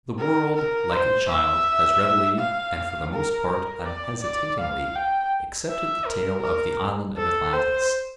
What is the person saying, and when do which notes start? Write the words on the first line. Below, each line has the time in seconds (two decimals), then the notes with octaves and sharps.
The world, like a child, has readily, and for the most part unhesitatingly, accepted the tale of the Island of Atlantis.
0.19 A#4
0.56 A#4
0.91 C5
1.29 E5
2.39 F5
3.13 A#4
3.50 A#4
3.86 D5
4.22 D5
4.59 F5
4.96 G5
5.70 E5
6.06 A#4
6.42 A#4
7.17 A4
7.53 C5